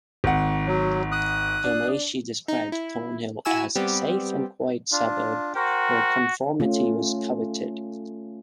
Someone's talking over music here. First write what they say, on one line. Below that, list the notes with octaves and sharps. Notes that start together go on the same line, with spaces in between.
Ghomeshi described Thornhill as a safe and quiet suburb where conformity was coveted ...
G#1 F#5
F#3
D#6 F#6
D4
D#4
E4
E4 F#4 G#5 E6 E7
G3 B3 C4 G4
D4 F4
F#4 A#4 C5 G5
A3 C#4 F4